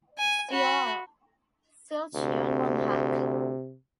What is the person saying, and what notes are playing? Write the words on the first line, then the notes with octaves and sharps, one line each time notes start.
Seoul: Silcheon Munhak.
G#5
F#4 B5
D2 C3